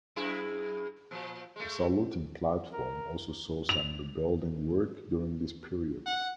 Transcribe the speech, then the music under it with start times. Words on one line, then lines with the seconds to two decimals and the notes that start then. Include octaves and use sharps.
The saluting platform also saw some rebuilding work during this period.
0.16 F#2 E4 G#4
1.11 A#2 F3
1.56 G#3 A3
2.73 A#4
3.69 F7
6.06 F#5